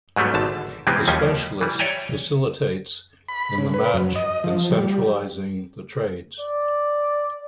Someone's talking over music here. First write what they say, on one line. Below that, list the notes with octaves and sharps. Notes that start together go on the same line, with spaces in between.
The specialist facilitates in the match and centralizing the trades.
G#2 F#3 G3 A3 B3
G#1 D3 A5
C3 E3 G3 G#3 B3 C4
D#2 F3 G3 C#4
E3 G3
C#5 D5 E5 G5 G#5 A#5
B5
C#3
B4
F#2
D#5
F3
G3
D5